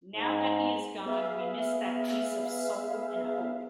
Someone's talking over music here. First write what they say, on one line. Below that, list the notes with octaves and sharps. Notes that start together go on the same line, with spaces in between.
Now that he is gone we miss that piece of soul and hope.
G#2
B3 G#4 B4 E5 F5